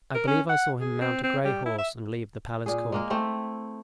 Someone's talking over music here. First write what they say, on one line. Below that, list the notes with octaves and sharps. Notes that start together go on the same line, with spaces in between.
I believe I saw him mount a gray horse and leave the palace court.
A#4
C#4
F#5
G#4
C4
C4
G3
E4
E5
A#2 G#4
G#3 A#3 A#4
A3 C4 E4